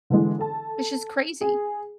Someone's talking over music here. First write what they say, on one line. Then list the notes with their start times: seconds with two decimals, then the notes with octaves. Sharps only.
Which is crazy.
0.10 D3 E3 G#3
0.38 A4 A5
1.41 G#4